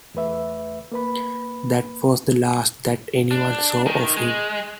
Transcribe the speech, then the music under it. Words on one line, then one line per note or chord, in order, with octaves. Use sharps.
That was the last that anyone saw of him.
E2 A3 B4 E5
A#3 B4 B5
D4
D#3
G#3